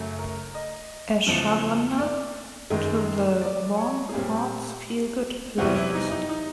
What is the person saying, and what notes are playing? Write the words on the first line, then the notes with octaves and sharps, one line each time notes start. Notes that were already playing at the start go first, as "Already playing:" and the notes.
A Shawnna to the Warm Hearts Feel Good playlist.
Already playing: F#2 C#3 F#3 A3
A#4
D#5
E2 C#3 F3
D5
F#2 D#3 G#3
D5
C#5
G#4
A#2 G3 C4 G4
E2 C3 E3 G3 C4 F#4
E4
D#4
D#4
D#4